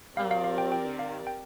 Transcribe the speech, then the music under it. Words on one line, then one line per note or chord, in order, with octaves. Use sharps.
Oh, yeah.
C4 G4 A#4 D5 F5
F5
F5
G5
G5
F5
G5